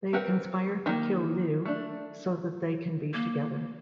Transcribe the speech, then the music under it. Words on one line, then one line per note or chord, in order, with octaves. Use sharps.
They conspire to kill Lleu so that they can be together.
C4 G4 A#4 B4 F#5
D#3 A3 A#3
A3 D4
A#3